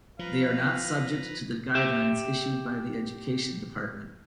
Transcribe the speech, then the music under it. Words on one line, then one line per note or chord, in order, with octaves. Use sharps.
They are not subject to the guidelines issued by the Education Department.
F3 B4 F5 A#5
G4 E5